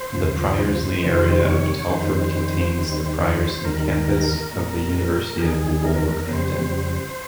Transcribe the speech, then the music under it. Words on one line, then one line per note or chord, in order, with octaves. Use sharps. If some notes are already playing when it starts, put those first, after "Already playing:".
The Priorslee area of Telford contains the Priorslee Campus of the University of Wolverhampton.
Already playing: C5
D#2 C#3 F3
F2 C3 D#3 G3 C5
C#5
C#5
F2 D#3 G3 C5
D#2 D#3 G3
C5
D#2 D#3 G3 A#4
A#2 G3
G4
D#2 D#3 G3 G#4
A#4
F2 C#3 G3 C5